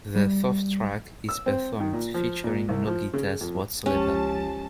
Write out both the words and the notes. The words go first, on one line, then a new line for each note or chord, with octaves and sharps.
The fourth track is performed featuring no guitars whatsoever.
G3
E6
C4
D#3
A#2
F3
A#2
C2
F3
C#3
F2
C#2 F3 C#4 G4 A5